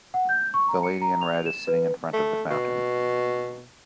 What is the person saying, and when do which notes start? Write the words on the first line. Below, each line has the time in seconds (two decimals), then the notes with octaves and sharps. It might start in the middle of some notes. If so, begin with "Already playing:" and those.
The lady in red is sitting in front of the fountain.
0.14 F#5
0.29 G6
0.54 C#6
0.68 A#5
0.83 C#7
1.02 A#5
1.21 F7
1.46 E7
1.67 B4
2.13 A3
2.50 B2